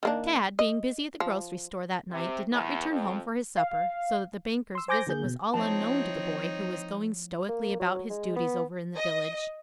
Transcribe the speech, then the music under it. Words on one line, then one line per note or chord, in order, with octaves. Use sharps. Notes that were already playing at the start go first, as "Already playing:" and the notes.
Tad, being busy at the grocery store that night, did not return home for his supper, so that the banker's visit was all unknown to the boy who was going stoically about his duties over in the village.
D#3 A#3 D4
D#5
F3
C3
E2
F2
F5
C6 E6
C5 G#5 D6 G6 A#6
D3 A#3 G#4 G6
B2
F3 A3 C4 D#4 E4 C#5 A5
A#3
F#3
G#3
B3
D#5